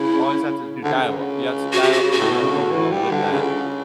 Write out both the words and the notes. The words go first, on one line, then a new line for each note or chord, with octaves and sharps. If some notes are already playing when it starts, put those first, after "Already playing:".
always have to do dial-up you have to dial-up internet, going along with that.
Already playing: C#3 E4
D3
C#3
F#4
G4
F#4
F#4
A2
B2
C#3
D3
E3
G3
D3
C#3